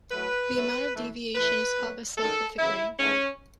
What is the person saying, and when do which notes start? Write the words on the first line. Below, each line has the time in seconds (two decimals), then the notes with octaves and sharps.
The amount of deviation is called the slope of the grain.
0.11 A2 F#3 A3 B4
0.52 G#2 F#3 A3
0.94 F#2 E3 A3
1.35 A2 E3 A3 B4
1.76 B2 F#3 A3
2.17 F#2 D#3 G#3 A4
2.58 F#2 C#3 E3 E4
2.99 G#2 E3 A3 C#4